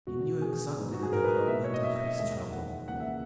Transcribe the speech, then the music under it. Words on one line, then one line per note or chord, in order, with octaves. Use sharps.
He knew exactly the development of his trouble.
E2 B2 G#3 F#4
G#4
G#2 F#3 B3 D#4
F#4
G#4
A#4
B4
D#5
B2 A#3 E4 E5
C#5
D#5
E5
E5
E5
D#2 D#3 G#3 D#4 E5
F#5
C#2 C#3 E3 A#3 F#5
E5